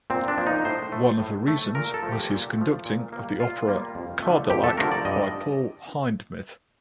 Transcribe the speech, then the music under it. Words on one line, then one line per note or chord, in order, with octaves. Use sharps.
One of the reasons was his conducting of the opera "Cardillac" by Paul Hindemith.
A#2 C4
D4
F3 A#3
D#4
A2 C5
A3
A2
A3
A#2 A#4
A4
F3 A3
G4
A#2
F3 A3
A#2
G3 A#3
A#2 F4
G3 A#3
F2
D3 F3 A3
F2 G4
A4
D3 F3 A3 A#4
D5
G2 D#5